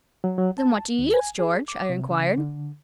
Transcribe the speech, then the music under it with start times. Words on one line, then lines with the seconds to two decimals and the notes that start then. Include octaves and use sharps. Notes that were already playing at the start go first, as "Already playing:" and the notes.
"Then what do you use, George?" I inquired.
0.24 F#3
0.38 F#3
0.58 A5
0.99 D#2
1.14 G#5
1.39 G#4
1.68 D6
1.89 C3
2.10 C#3
2.38 D3